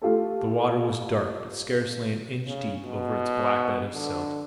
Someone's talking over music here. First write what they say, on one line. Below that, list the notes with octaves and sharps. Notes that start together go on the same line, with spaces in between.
The water was dark but scarcely an inch deep over its black bed of silt.
A3 F4 G4 A4
C#3
B2
D3